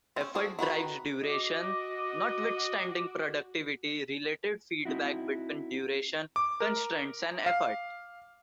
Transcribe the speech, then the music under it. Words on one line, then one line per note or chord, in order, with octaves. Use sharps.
Effort drives duration, notwithstanding productivity-related feedback between duration constraints and effort.
C4 C#4
C4 F#4 G#4 A4
D#3 F#4 B4 B5
F#4 D#5 D6
C4 D#4 E4 F#4
D6
A#4
F5